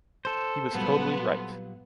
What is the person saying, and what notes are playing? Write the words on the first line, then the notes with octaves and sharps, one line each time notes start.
He was totally right.
A4 C5
A#2 F#3 G3 B3